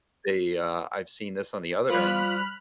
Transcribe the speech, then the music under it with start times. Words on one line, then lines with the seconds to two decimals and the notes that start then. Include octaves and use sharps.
they, uh, I've seen this on the other end,
1.90 F3 G3 F4 B5 F6 F#6